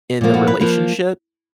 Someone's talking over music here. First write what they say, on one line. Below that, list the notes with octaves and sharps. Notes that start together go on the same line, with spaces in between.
in the relationship,
A#2 F3 A#3
F#4
B4
F3 A#3 B4